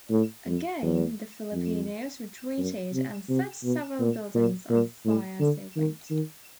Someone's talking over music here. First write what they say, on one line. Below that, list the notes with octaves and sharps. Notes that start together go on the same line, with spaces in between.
Again the Filipinos retreated and set several buildings on fire as they went.
A2
F2
E2
F2
F#2
C3
C3
B2
A#2
A#2
A#2
A2
D3
D#3
D#3